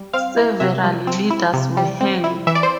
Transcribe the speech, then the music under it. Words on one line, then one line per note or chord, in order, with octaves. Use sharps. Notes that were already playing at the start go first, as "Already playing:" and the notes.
Several leaders were hanged.
Already playing: G3
C4 F5
E4
C3 E5
G3
C4
E4
C3
G3
C4
E4
E3 E5
D5
C5